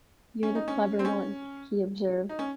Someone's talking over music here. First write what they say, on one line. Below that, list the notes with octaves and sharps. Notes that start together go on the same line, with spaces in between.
"You're the clever one," he observed.
C#4
D#4
C#4
C4
C#4
D#4
C#4